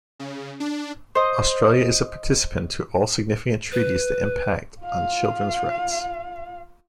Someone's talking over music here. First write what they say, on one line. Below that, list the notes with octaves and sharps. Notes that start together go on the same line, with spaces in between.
Australia is a participant to all significant treaties that impact on children's rights.
C#3
D4
C5 D#5
B4
F4 F5